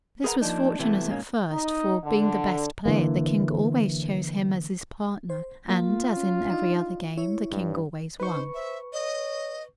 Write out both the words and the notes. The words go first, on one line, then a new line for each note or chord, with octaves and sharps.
This was fortunate at first; for being the best player the king always chose him as his partner, and, as in every other game, the king always won.
G#4 A#4 B4 D#5 F#5 A#5
F3 G3 A#3 D4 D#4
C3 E3 F#3 A3 B3
G#2 B2 D#3 A#3 C#4
D#4
D3
D3 E3 A#3
C5
A#3 F4
C#4
D4 D#4
E4 C#5
G2
D#4 B4 C5 C#6
C5 E5
C#5 D#5